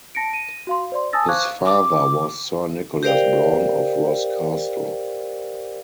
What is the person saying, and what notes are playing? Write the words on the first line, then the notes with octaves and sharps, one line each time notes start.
His father was Sir Nicholas Browne of Ross Castle.
A5 A#6 C#7 D7
A#6 D#7
F#4 F5 C6
C5 D5 C6
G#5 A5 D#6 E6 A6 A#6
C5 F5 C#6 D6 F#6 G#6
D6
G4 A#4 C5 D5 F5 G5